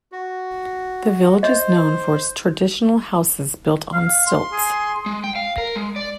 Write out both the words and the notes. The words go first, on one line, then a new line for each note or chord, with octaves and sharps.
The village is known for its traditional houses built on stilts.
F#4
C5 D#5
F5
C6
G#4
G#3
G5
F5
A#4
G#3
D5